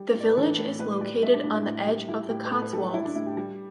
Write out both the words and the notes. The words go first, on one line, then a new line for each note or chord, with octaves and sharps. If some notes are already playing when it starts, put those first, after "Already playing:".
The village is located on the edge of the Cotswolds.
Already playing: G3
A2 D5
B4
E3 A4
A2
A2 B4
G3 D5
G3 E5
D4
A2 D4
E4
A2
G3
G3 E4
A2 G4
B4
A2 A4
B4
G3 A4
G4
G3 E4
D4
A2 E4
G4
G3